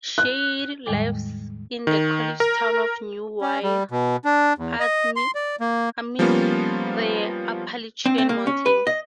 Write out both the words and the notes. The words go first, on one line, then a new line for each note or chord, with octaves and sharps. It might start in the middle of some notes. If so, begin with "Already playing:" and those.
Shade lives in the college town of New Wye, amidst the Appalachian Mountains.
F#6
E2 A2 D#3 G3 G#3 D6
D#3
A#4
C#4
G3
B2
D4
E2
D#5
C6
D5
A#3
F3 G3 A#3 B3 C#4 F4
C4
C4
A#3
C#4
B4
D#5